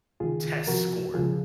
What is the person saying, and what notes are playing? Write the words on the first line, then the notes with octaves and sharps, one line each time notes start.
test score,
C#2 C3 D#3 F4 G#4
C#2 C3 F3 F#4 A#4
C#2 C#3 F3 F4 G#4